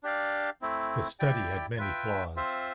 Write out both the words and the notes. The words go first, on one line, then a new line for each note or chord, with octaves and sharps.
The study had many flaws.
D4 G4 D5 F5
A3 C4 E4
E4 G4 D5 G5
F4 B4 E5 G5
C4 F4 C5 E5